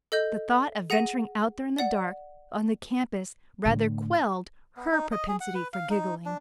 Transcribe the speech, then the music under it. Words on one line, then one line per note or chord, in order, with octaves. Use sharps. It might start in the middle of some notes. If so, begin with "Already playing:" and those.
The thought of venturing out there in the dark on the campus rather quelled her propensity for giggling.
A4 D#5 G6
G#4 F#5 A#6 D#7
D5 F#5
A2 D3
B3
D#4
D#5
G#4
F#5
B4
F5
D#4
D4